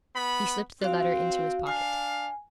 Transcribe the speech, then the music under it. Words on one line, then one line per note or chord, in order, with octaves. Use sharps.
He slipped the letter into his pocket.
B3 B5
C4 F#4 F5
D4 F5 G#5